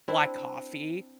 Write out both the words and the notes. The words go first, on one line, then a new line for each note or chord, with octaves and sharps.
black coffee,
C4 D4 E4